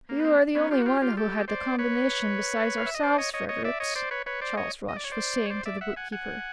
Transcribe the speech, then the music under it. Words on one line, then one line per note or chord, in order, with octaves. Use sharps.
"You are the only one who had the combination besides ourselves, Fredericks," Charles Rush was saying to the bookkeeper.
A#3
B3
A#3 C4
B3 C#4
F4 G4
F#4
F4 G4
F4 G4
G4 A4
C5 D5
B4 C#5
F5
E5
D#5
C5 D5
C#5 D#5
C#5 D#5
C#5 D#5
D5 E5
C#5 D#5
C5 D5
B4 C#5
B4 C#5
C5 D5
C#5 D#5
D#5
D5
C#5
C5 D5
C#5
C5 D5
D5 E5
E5 F#5
F#5 G#5
F#5 G#5